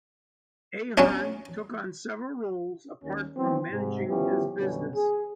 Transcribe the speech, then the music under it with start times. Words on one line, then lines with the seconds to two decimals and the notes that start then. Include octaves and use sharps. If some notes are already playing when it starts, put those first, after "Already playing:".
Ahern took on several roles apart from managing his business.
0.98 F#3 C#4 D4
3.04 D#2 C#4
3.38 E3 F#3 B3 C4
3.72 G#2 C3
4.09 F3 G3 B3 C#4 E4 G4
4.59 F#2 B2 D3 G3 C#4
4.96 G#4